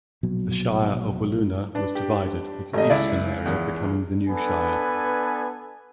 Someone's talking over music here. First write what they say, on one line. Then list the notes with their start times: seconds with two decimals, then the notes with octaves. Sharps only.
The Shire of Wiluna was divided with the eastern area becoming the new Shire.
0.23 A#1 B2 F#3
1.75 D4 B4
1.95 G4
2.73 G#1 G3 A3 D#5
2.90 C#2 E4 D5
3.46 E2
4.29 B3 D4 A4 B4 G#5